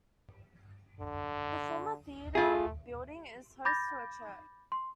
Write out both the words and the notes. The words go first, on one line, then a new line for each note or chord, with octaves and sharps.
The former theater building is host to a church.
D3
A3 F4 G#4
B5 D6 G6 A6 A#6
C6